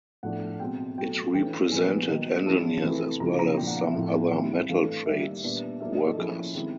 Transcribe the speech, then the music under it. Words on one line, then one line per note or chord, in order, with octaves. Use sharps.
It represented engineers, as well as some other metal trades workers.
A2 F3 A3 D4 F#5
B2 G#3 C4 G5
B2 F#3 A3 G5
E3 A3 C#4 E4 G5
A#2 F3 G#3 B3 G#5
D#3 F#3 A#3 D#4
F3 G#3 C#4 E4 A5
C3 E3 A3 C4 E4
C#3 F3 G#3 C#4 E4 A#5
A#5
A#2 F3 A#3 D4 G5
F#5
F5
E5
A2 F3 A3 C4
D#3 G3 C4 E4
E3 A3 D4 F5
D#3 G3 A#3 E5
A#2 G3 B3 D4
F#3 A#3 D4 E5
D#5
A4
F3 A#3 C#4 E4 G#4
D#3 G#3 C4 E4